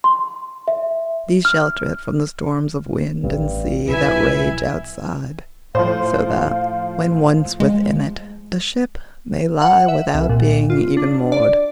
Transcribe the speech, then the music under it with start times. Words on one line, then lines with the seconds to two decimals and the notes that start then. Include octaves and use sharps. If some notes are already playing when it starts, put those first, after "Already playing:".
These shelter it from the storms of wind and sea that rage outside, so that, when once within it, a ship may lie without being even moored.
0.04 C6
0.68 E5
1.45 F6
3.23 A1 G2
3.88 B1 E3 E4 E5 G#5
5.75 A2 F3 C5 F5
7.60 G#3
9.62 F#5
9.88 E5
10.14 C2
10.29 A#2
10.70 F4
10.97 D4
11.32 D5